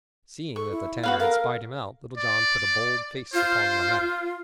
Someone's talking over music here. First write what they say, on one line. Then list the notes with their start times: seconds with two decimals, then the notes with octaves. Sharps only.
Seeing that the Tanner had spied him out, Little John put a bold face upon the matter.
0.56 A4 C#6
0.72 E4
1.03 B3 F#4 B4 F5
1.20 A4 A#4 F5
2.18 D5
3.34 F4 C5